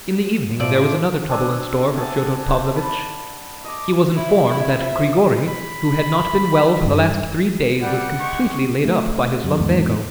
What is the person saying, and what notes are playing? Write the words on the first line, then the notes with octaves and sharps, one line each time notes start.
In the evening there was another trouble in store for Fyodor Pavlovitch; he was informed that Grigory, who had not been well for the last three days, was completely laid up by his lumbago.
A2 F3 D5 E5
C4 D4 G#5 E6
E5 F#5 G#5 A5
F#5
C5
A5 B5
D#5 D6
E4
F2 E5
B5
G2
G3 F#5
G#3 G4 C#6
A3
F#2
E2 G#2